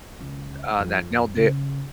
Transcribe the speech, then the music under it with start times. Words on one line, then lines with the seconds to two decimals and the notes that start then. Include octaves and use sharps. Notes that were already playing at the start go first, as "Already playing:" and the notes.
uh, that nailed it
0.20 C#2
0.79 F2
1.36 C#3